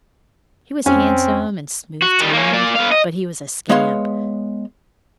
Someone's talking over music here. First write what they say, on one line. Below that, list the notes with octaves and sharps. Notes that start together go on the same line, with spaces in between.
He was handsome and smooth-tongued, but he was a scamp.
F2 C4 C#4
F#4
D#3 G3
A#3 C#4
A#3 D5
B3 F5
D#5
G#3 B3 C#5 F5 C6